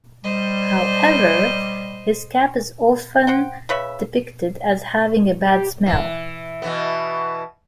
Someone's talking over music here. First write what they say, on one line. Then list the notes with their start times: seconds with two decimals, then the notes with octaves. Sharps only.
However, his cap is often depicted as having a bad smell.
0.24 G3 C5 D#5
3.27 C5 F#5 G5
3.69 C#3 B4 C#5 E5
5.44 G4
5.86 E3
6.62 B2 E3 B3